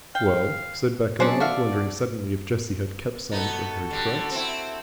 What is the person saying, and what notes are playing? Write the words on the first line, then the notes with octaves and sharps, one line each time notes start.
"Well?" said Bechamel, wondering suddenly if Jessie had kept some of her threats.
F5 G5
F#3 B3 C#4 D4 G#4 C5 D5
F#4 E5 F5 A5
B3 D#4 F#4 A4
D3 G3
C4 E4